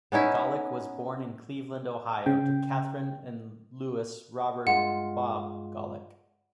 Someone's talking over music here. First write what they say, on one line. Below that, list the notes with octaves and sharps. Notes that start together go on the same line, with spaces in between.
Golic was born in Cleveland, Ohio to Catherine and Louis Robert "Bob" Golic.
B3 C#4 D#4 E4
C#3 G5
G2 G#3 F4 F#5